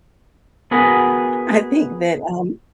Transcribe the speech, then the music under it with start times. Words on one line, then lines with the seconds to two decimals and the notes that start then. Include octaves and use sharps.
I think that, um
0.71 B3 F#4 G#4 A#4 B4